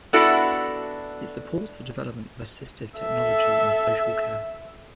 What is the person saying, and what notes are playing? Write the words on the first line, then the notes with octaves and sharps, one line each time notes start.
It supports the development of assistive technology in social care.
B3 D4 E4 F#4 A4
A4 E5